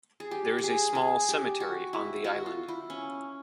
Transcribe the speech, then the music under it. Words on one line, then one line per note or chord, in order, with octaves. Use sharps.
There is a small cemetery on the island.
G#4
G4
G4
G#4
G#4
G4
F#4
E4
F#4
F4
E4
C#4